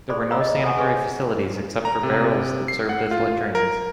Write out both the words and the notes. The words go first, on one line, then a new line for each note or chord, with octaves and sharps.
There were no sanitary facilities except for barrels that served as latrines.
G#4 A4 C5 D5 B5 C6
C#5 F5 A#5 B5 E6
D#5
A4 F#5 G#5 C#6
C#4 G#4 B4 G#5 C6 C#6
A#5
C3
C7
F#5
F4
A#4